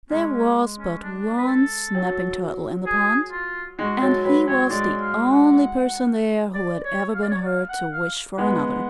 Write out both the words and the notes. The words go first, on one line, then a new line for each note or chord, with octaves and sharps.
There was but one Snapping Turtle in the pond, and he was the only person there who had ever been heard to wish for another.
G#3 C#4
C#4
C#4
D4
B4
A4
F#3
G#4
F4
G#3 F#4
F#3 A4
F#3 B4
F#3 C#5
G#3 D5
F5
F#5
D5
C#5
F5
D5
C#5
D5
F5
F#5
F5
G#3 B3 F#5